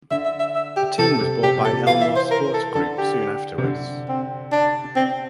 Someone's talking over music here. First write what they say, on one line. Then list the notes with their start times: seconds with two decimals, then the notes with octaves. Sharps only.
The team was bought by Elmore Sports Group soon afterwards.
0.11 D3 E5
0.25 E5
0.39 E5
0.55 E5
0.76 G4
0.98 C3 A4
1.21 C3
1.43 C3 G4
1.57 A#2
1.65 A4
1.73 C3
1.87 E3 F5
2.01 E5
2.16 C5
2.31 A#4
2.54 A4
2.75 D3 A4
2.98 G4
3.58 C3
3.64 D3
4.08 C4
4.52 D4
4.96 C4